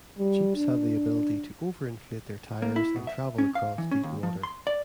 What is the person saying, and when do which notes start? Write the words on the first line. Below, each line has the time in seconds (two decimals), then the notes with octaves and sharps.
Jeeps have the ability to over-inflate their tires and travel across deep water.
0.19 G3
0.56 D4
2.62 A#3
2.76 E4
2.96 B2
3.07 E5
3.38 C#4
3.55 F5
3.78 E3
3.91 C#4
4.03 D#2
4.23 F3
4.43 C6
4.67 D5